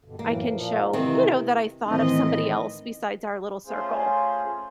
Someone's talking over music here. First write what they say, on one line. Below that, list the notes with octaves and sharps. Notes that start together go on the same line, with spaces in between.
I can show, you know, that I thought of somebody else besides our little circle.
G2 B2 D3
F#2 A2 E3 A#3
A#2 F3
C3 D#3 E3 C4
A2 D#3 E3 C4 D#5
A3 C#4 F4 G#4 C5